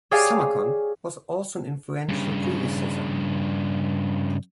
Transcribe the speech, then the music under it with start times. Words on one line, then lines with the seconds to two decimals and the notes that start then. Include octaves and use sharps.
Summercon was also an influential predecessor.
0.11 G4 G#4 C#5 D5 F5 G#5
2.09 G2 C#3